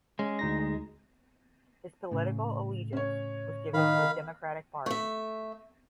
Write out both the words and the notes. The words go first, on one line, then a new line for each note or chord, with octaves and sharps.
His political allegiance was given to the Democratic party.
G#3 C#4
D2 D#4 A#6
A2 C#3
C#4 C#5
D#3 F5 B5
A3 E5